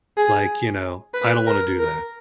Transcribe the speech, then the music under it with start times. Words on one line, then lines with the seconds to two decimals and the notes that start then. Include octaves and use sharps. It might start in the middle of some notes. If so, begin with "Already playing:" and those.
like, you know, I don't wanna do that
0.17 G#4
1.14 B4
1.47 A#4
1.79 A#4